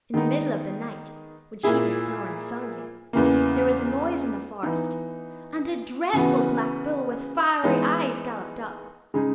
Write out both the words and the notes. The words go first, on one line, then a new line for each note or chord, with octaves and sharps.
In the middle of the night, when she was snoring soundly, there was a noise in the forest, and a dreadful black bull with fiery eyes galloped up.
D#3 G#3 B3 D#4
A#2 A#3 E4 G#4
E2 C#3 E3 A#3
E3 B3 D#4
C#3 E3 B3 F#4
E3 G#3 B3 D#4
C#3 G#3 D#4 G#4